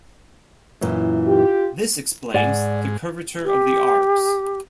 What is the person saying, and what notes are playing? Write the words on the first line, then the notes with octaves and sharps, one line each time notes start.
This explains the curvature of the arcs.
F#2 A#2 E3
F4 G4
G#2 D5 F#5 G#5
G4